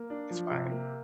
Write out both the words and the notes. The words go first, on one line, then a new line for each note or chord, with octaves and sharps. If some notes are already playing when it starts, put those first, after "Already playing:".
it's fine.
Already playing: A#3
D4
F3
C3
A#3